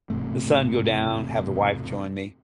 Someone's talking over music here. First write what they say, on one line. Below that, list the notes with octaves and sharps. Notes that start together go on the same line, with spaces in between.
the sun go down, have the wife join me,
E1 G#2 C3 A3